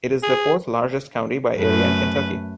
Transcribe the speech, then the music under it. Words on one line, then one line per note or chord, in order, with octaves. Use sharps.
It is the fourth-largest county by area in Kentucky.
G#4
F#2 A3 B4